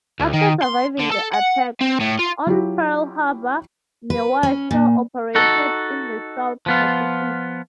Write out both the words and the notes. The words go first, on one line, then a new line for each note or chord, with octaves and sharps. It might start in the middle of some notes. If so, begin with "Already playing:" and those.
After surviving the Attack on Pearl Harbor, "Neosho" operated in the South Pacific.
D2
D#3
C6
D3
A4
F#5
C4
A2
F4
F#3 E4 F4 G4
B4
C#4
A#2
D#4 F#4 A4
F3 B3 F4